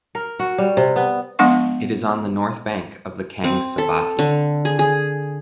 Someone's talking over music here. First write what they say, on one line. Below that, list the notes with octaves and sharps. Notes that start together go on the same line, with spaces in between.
It is on the north bank of the Kangsabati.
A#4
F#4
G3
C3
B3
F3 G#3 B3 D4 F#5 C#6
C4
A4
D3
G#4
G#4